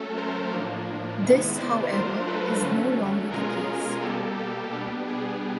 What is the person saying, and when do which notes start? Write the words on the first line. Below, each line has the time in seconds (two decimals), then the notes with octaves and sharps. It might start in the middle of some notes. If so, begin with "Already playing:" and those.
This, however, is no longer the case.
Already playing: F#3 A3 C#4 A4
0.17 A#4 C5
0.52 A2 F3 A#3 D4
1.22 C3 D#3 G#3 B3 E4
1.57 C5 D5
1.92 F#3 A3 D4 F4 A#4 C5
2.27 A4 B4
2.62 D3 F#3 A3 C#4
3.32 B2 G#3 C#4 F4 G#4 A#4
4.02 B2 G3 A#3 G4 A4
4.37 G4
4.72 B2 G3 B3 D4 G4
5.07 G#4